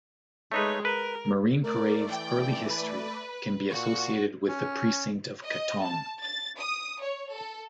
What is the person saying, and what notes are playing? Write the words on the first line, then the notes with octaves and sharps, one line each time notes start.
Marine Parade's early history can be associated with the precinct of Katong.
G#3 A3 D#4 B4 C#5
A#4 B4
A3 A#4 D5
E3 G5
B4
A#2 F#4 C#6
C#4
D#5
A5
A6
D#6
C#5
A4